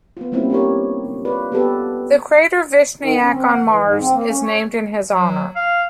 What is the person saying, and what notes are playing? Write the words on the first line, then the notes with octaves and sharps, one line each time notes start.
The crater Vishniac on Mars is named in his honor.
B3 F4
G3 A#3 C4 C#4 E4 F4
D4 G4 A#4 C#5
F4 B4 C#5 D5
B3 G4 A4 B4
D#3
C#4
C4
F#5
E3
G#2
C4
A#3
C#4
C#5
F#3
F5